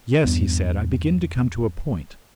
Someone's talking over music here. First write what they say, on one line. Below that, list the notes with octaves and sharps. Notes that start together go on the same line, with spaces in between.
'Yes,' he said, 'I begin to come to a point.
E2 G2 B3